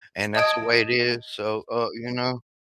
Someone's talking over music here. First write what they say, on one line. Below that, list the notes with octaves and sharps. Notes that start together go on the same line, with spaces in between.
And that's the way it is, so, uh, you know
D#5 A5 D#6 G#6 D7